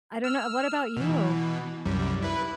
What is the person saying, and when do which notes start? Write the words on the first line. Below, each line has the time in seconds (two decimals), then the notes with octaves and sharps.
I don't know What about you?
0.24 E6 F6
0.97 B2 E3
1.85 C2 F#2 G3
2.22 E4 B4